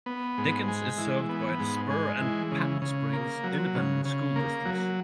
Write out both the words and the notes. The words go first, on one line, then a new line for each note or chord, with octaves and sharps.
Dickens is served by the Spur and Patton Springs Independent School Districts.
B3
G#2
G#3
E3
B3
G#2
G#3
E3
C#3
C#3
A#3
F#3
C#3
C#3
A#3
F#3